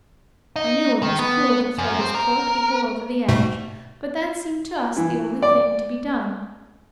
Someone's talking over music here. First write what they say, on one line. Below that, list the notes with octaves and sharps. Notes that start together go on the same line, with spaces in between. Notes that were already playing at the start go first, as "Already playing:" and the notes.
"I knew it was cruel to throw these poor people over the edge, but that seemed to us the only thing to be done."
D#4
D#3
B3
F#2
C4
A#4
G#2 B2 A3
E3
D5